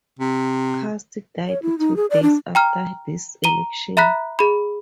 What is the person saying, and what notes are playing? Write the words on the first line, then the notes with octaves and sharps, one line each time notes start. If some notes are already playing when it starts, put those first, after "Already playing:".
Cust died two days after this election.
C3
C#5
E4
D#4
G#4
D5
D4
G5 A#5 F6
A#5 D#7 G7
E5 A#5 B5 F#6 B6
G#4 B5